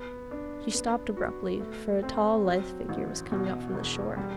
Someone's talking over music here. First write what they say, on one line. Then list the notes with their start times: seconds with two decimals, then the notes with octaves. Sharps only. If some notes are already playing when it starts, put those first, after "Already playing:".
She stopped abruptly, for a tall lithe figure was coming up from the shore.
Already playing: B3
0.31 D4
0.74 B3
1.17 F#4
1.60 A3
2.03 C4
2.46 F#3
2.89 A1
3.32 B2
3.75 E1
4.17 G3